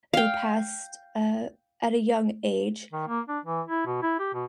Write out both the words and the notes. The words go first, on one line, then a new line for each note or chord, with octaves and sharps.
who passed, uh, at a young age,
F5 G5
D#3
A#3
D4
E3
E4
B2
E4
G4
B2